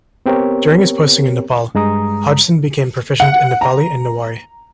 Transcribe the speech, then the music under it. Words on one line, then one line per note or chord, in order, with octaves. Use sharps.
During his posting in Nepal, Hodgson became proficient in Nepali and Newari.
B3 C4 G4 A#4 C#5
G2 G#3 A#5 D#6
F#5
A#5